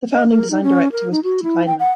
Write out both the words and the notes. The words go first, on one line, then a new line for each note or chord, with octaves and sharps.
The founding Design Director was Peter Kleinman.
D#5
A#4
D#4
C#4
A#4
D#4
F#4
E4
G5
F#5